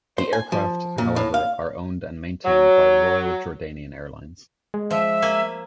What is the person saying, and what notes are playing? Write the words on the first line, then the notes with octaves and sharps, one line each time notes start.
The aircraft, however, are owned and maintained by Royal Jordanian Airlines.
C5
G#5
F3
A#2
A2
F5
F#3
G#3
F3 E5
A#3 G#5